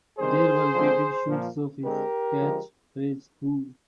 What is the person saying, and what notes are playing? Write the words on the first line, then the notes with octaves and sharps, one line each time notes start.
There were repeated shoots of his catch phrase Fuuuu!
D#3 G3 C4 G#4 C5
D3 F3 G#3 C4
A#2 F3 A#3
D3 G#3 C4 G4 A#4
D3 F3 G#3